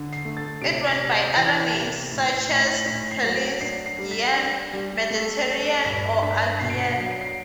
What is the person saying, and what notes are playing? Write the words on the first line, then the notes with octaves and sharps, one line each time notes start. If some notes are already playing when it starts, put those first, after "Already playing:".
It went by other names, such as "Pelasgian", "Mediterranean", or "Aegean".
Already playing: D3
C7
A3
A6
C3 D7
B6
C3
G6
E3 A6
C3
A2
A2
A2 B6
C7
F#3
D7
D4 C7
C7
G3
B6
D4
G3
A3
A3
G2 B6
D4 B6
B2 C7
D7
C7
D7
F#3 C7
D7
C7